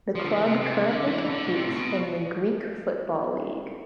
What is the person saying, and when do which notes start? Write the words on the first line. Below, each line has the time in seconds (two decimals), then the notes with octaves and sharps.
The club currently competes in the Greek Football League.
0.15 F3
0.24 D3
0.30 E3
0.42 B2
0.45 C3
0.61 C3
0.72 E3
0.83 D3
1.07 E3
1.29 D3
1.46 B2
1.52 C3
1.64 A2
1.74 B2